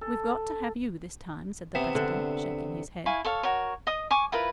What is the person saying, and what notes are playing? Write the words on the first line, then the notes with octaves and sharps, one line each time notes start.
"We've got to have you this time," said the president, shaking his head.
A4
C3 B3 E5
D3
E4 F5 G#5 C#6
A4 C#5 F5
F#4 A#4 C#5
D#5 D#6
G#5 C#6 D6
E4 F4 A#4 B4